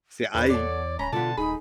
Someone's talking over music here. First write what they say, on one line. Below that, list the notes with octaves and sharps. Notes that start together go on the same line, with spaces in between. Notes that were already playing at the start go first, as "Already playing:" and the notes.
See I
E2 D3 B4 C#5
E2 B3 A4 D5
D1 C#4 A#5 B5
B2 D3 B3 F4 A5
D#1 D#4 G#4 B5